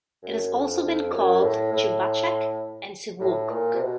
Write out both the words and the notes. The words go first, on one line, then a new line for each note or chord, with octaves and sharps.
It has also been called "Chibuchack" and "Sevuokok".
F#2
F2
F2
F#2
A2
A2
A2
A#2
C3
B2